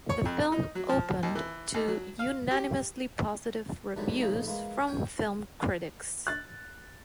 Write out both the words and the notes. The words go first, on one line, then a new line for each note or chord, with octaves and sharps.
The film opened to unanimously positive reviews from film critics.
C#5
F2
D#4
F#3
F3
D#2
E3
D#2
F#3
F5
G4
G#2 B2 D3 E3 F#3 G3
F2 A2 C#3 D#4
E3 G#3 A#3
C#5 G5 G#5
F#6 A6